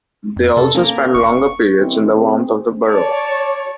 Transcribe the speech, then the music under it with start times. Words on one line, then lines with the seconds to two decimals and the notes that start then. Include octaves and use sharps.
They also spend longer periods in the warmth of the burrow.
0.37 F2
0.57 C3 A4
0.75 A#3 C#4
1.14 F1 C#6
1.77 B2 D#3 G3 C4 C#4 E4
2.12 C4 G#4
2.88 C#5 D5 A5